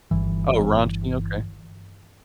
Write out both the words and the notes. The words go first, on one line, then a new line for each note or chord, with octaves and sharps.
Oh, raunchy, okay.
G1 E3